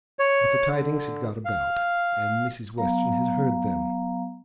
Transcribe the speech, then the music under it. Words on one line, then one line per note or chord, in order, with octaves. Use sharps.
But the tidings had got about and Mrs. Western had heard them.
C#5
D3
F5
F#3 B3 F5 A#5